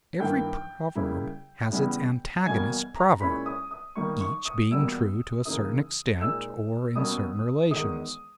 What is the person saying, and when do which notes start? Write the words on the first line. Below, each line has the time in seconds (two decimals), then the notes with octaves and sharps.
Every proverb has its antagonist proverb, each being true to a certain extent, or in certain relations.
0.20 G2 D#3 A#3 E4 G5
0.95 C#3 G3 A#3 E4
1.71 E2 C#3 G3 B3 E4
2.46 E2 B2 G3 A#3 G#5
2.71 G#5
2.96 A#5
3.20 A#2 G#3 C#4 E4 B5
3.46 D#6
3.71 D#6
3.95 D#3 G3 A#3 D#4 C#6
4.21 C#6
4.45 D#6
4.71 E2 B2 G3 A#3 E6
5.45 C#3 E3 A#3 D#4 D#6
6.21 A#2 G#3 D#4 E6
6.96 B2 G3 A#3 C#4 D#6
7.71 E2 D#3 G#3 D#4 D#6